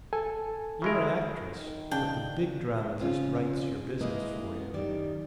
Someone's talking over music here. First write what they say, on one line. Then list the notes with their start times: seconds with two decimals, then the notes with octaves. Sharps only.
You're an actress, but the Big Dramatist writes your business for you.
0.13 A4 G#5 A5
0.82 C#3 G#3 E4 A#4
1.58 D#3
1.91 C#3 D4 G5
3.01 C#3 F3 C4 C#4 F4
4.01 G#3 A#3 E4 B4 D#5
4.55 B3
4.74 F#2 D#3 G3 D5